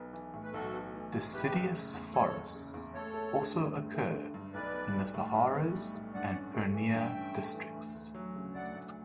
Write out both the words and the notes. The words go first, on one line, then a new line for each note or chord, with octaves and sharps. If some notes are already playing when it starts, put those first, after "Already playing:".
Deciduous forests also occur in the Saharsa and Purnia districts.
Already playing: B1 B3
E3
A2
B4
B1 F#4 A4
B3
E3
A2
F#1 G4 B4
F#1
C#3
E2
F#1 A4 C#5
F#1
C#3
E2
A1 A4 C#5
A3
D3
G2
A1
A3
D3
G2
B1 B4 D5
B3
G3
A2
B1
B3
G3
A2
G2 D5 F#5
C#4
A3
E3
G2 E5 G5
C#4
A3
E3
D2
D2
F#3
C#3
D2 D5 F#5
D2